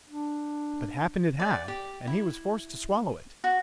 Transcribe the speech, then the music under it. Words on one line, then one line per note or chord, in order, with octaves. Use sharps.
But happened it had, and he was forced to swallow it.
D4
D5
G4
E4
F#4